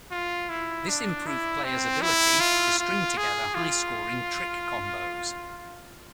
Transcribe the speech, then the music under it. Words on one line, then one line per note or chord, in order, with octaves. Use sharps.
This improved players' ability to string together high-scoring trick combos.
F4
E4
D4
E4
C4
E4
F4
F4
G#4
F4